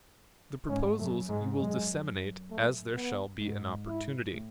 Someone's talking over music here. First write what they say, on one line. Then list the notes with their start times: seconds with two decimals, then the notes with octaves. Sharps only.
The proposals you will disseminate as there shall be an opportunity.
0.68 G#2 C#4
0.99 F#2 A3
1.29 G#2 G#3
1.59 F#2 G#3
2.50 A3
2.96 B3
3.41 G#2
3.88 E4
4.33 A2